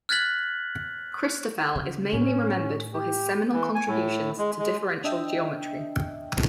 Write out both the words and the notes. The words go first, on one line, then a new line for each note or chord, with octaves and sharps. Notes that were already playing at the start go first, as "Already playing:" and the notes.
Christoffel is mainly remembered for his seminal contributions to differential geometry.
F6 F#6 G#6 A6 B6 F#7
C#3
A2 C#4
G4
E3
G#5
A2
G#3
G#3
D4 D#5 E5 G5